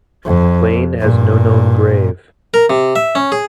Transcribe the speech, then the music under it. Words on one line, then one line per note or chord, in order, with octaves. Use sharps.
Wain has no known grave.
F2
G2 A#2
A#4
C3
E5
C#4
G#4